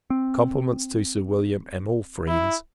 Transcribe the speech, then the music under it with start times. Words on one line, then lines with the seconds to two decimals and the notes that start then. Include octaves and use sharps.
Compliments to Sir William, and all friends.
0.10 C4
2.28 E4